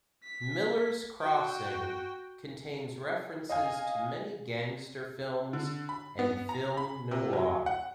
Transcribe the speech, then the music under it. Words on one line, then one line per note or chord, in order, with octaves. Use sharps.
"Miller's Crossing" contains references to many gangster films and film noir.
B6
F#4 G5
D#5 F5 G#5
D3
B5
B3
A#5
B5
C3
F#3
F#5